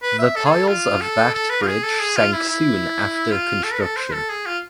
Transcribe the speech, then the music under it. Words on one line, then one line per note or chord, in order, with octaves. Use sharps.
The piles of that bridge sank soon after construction.
B4
E5
A4
G#4
A4
F4
A4
A4
B4
F4
G#4
A4
G#4
F4
E4
E4
F4
A4
B4
A4
C5
A4
G#4
F4